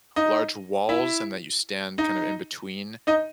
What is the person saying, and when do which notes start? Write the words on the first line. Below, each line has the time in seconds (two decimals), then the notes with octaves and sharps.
large walls and that you stand, kind of in between,
0.16 D#4 D#5
0.89 E4 E5
1.98 D#4 D#5
3.07 D#4 D#5